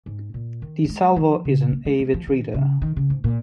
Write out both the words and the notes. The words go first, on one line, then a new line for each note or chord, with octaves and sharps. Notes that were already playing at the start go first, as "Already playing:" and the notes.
DeSalvo is an avid reader.
G#2
A#2
D#3
A#3
G#3
F3
C#3
A#3
G#3
G#3
F3
D#3
C#3
D#3
C#3
G#2
A#2